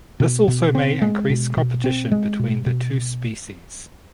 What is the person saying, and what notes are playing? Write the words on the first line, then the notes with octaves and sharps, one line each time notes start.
This also may increase competition between the two species.
B2
B2
C4
G#3
B2
B2
C4
G#3
B2
B2